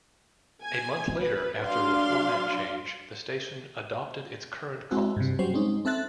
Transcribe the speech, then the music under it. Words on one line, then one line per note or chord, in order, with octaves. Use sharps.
A month later after the format change, the station adopted its current calls.
G#5
B4
F#3 D4 F5 C6
G#3 C4 E4 F#4
G2 C3
F#3 G3 C#4 C5
G#3 C4 C#4 D#4
C4 A4 E5 F#6 A6